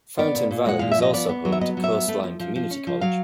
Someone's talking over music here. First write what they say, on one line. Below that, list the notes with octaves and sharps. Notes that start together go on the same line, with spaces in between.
Fountain Valley is also home to Coastline Community College.
B3 D5
A#2
A#2
G#3 F#5
A#2 F5
E5
F3 D#5
B3 D5
B3
F#3
E5
B3 D#5
F#3
E5
B3
A3
F3
F3
F3
C#4
F3
F#3 F5